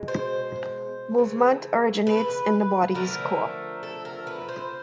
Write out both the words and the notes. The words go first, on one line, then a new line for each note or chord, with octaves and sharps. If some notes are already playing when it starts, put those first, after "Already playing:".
Movement originates in the body's core.
Already playing: B2 G#3
C5
C#3 E3 A3
B4
D3 F3 A3 A#4
A4
A#4
B4
C5